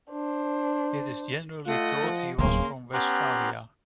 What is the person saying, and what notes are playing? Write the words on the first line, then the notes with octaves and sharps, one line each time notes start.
It is generally thought he was from Westphalia.
D4 C5
A3 F4 D#5 F#5
F3
D1 G1 C#3 A#3 C6
B3 C#4 G4 A#5 C6 F#6